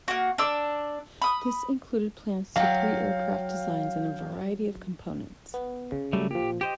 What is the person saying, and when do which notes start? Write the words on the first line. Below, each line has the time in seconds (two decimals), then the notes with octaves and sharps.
This included plans to three aircraft designs and a variety of components.
0.08 A#3 F#4
0.38 D4 D6 E6
1.22 B5 D#6
2.56 F#3 F5 G5
5.54 B3
5.92 C#3
6.13 F#3 G3 A3
6.31 A#2 F3 G4
6.61 G4 C5 D#5 G5